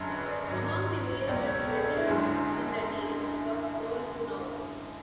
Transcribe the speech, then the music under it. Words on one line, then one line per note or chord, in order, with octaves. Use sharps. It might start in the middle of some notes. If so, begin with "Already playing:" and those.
Among the villages mentioned in the deed was "Dolbunov".
Already playing: F#1 F#2 D3 C#5
B4
D5
G#1 G#2 F#3 C#5
C#5
C#2 B2 F#3 D5
C#5
A4
G#4
D4
E4
F#1 F#2 D3 G#3